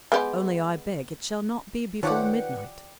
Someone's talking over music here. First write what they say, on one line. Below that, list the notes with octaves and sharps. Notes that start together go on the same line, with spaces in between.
"Only I beg it shall not be before midnight."
G#3 B3 G4
D#3 F3 F4 G4 B4 C#5 D5 F#5